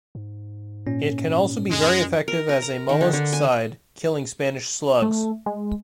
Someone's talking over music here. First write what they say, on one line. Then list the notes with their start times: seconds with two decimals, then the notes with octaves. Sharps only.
It can also be very effective as a molluscicide, killing spanish slugs.
0.15 G#2
0.87 A#2 C#4
1.71 F#2 G#3
2.28 A#4
2.49 A#4
2.62 A#5
2.89 D#3
3.01 D3
3.13 D3
3.33 G#5
5.02 A3
5.46 G#3